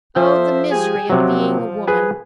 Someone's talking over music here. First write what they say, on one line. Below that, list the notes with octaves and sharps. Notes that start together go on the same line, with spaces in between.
Oh, the misery of being a woman!
F3 A4 C5 E5
G4 G#4 G#5
C3 F3 F#3
G#4 B4 G#5